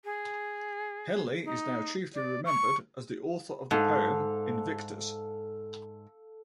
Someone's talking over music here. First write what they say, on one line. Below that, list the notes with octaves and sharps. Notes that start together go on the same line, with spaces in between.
Henley is now chiefly remembered as the author of the poem "Invictus".
G#4
D#4
D5
C#6
G#2 A4 F5